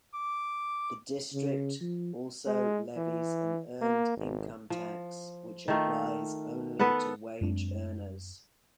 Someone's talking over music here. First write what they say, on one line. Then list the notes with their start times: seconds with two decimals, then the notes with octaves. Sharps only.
The District also levies an earned income tax which applies only to wage earners.
0.14 D6
1.33 C#3
1.80 F3
2.46 G#3
2.97 E3
3.81 A#3
4.17 G#1
4.70 F3
5.68 D#3 A3 F4
6.79 B3 A4 B4 F#5
7.41 F#2 G#3 C4 D4